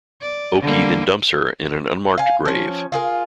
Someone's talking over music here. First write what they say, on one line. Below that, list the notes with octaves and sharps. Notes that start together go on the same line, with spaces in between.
Oki then dumps her in an unmarked grave.
D5
D3 G3 A#3
F5 G#5
F3 C#4
F4 G#4 A#4